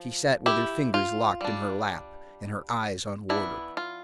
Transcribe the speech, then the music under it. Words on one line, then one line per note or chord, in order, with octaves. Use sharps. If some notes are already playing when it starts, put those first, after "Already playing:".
She sat with her fingers locked in her lap, and her eyes on Wardrop.
Already playing: F3
E4 G4
F4
G3 D4
E3 B3 D4 E4
F4